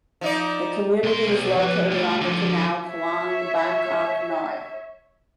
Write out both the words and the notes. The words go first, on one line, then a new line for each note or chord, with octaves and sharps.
The community is located on the canal Khlong Bangkok Noi.
F3 D#4 D5
A#2 C6
B1
F3 B4
G3 A3
D3 F3
C#5 E5